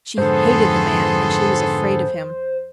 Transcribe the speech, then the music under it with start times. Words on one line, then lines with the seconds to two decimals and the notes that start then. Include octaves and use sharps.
She hated the man, and she was afraid of him.
0.18 F2 G#2 D3 B3 G#4 A4 C5 C6